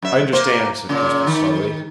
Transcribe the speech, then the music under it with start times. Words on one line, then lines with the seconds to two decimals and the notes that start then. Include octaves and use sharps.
"I understand," said Crispin slowly.
0.02 F#2 E5
0.33 A#3 C5
0.89 A#2 C#3
1.27 D#3